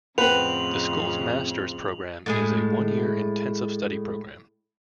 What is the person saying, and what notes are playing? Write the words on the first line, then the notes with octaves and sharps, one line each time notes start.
The school's master's program is a one-year intensive study program.
F2 A2 C#3 C4 B4 F#5 F7 F#7
A2 G#3 G#4